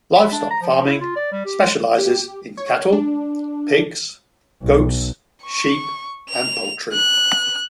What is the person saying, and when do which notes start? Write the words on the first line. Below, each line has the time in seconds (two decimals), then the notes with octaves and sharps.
Livestock farming specializes in cattle, pigs, goats, sheep, and poultry.
0.16 B5
0.32 D4
0.50 A#5
0.62 F3
0.87 E4
1.01 F4
1.16 D5
1.32 G3
1.45 G4
1.61 G#3
1.98 G4
2.57 C#5
2.92 D4
4.61 B1
5.43 C#6
6.30 F7
6.93 F#6